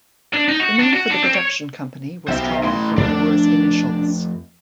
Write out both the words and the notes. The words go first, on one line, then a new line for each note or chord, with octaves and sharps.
The name for the production company was drawn from Moore's initials.
D4
D#4
F#4
D4
F#4
D4
C4
C#5
B1 C5 E5
A2 C6
F2 A3 D4